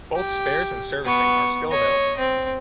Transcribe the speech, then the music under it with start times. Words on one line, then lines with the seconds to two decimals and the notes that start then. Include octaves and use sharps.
Both spares and servicing are still available.
0.16 G4
1.05 B3 C#6
1.71 C#5 D#5
2.18 C4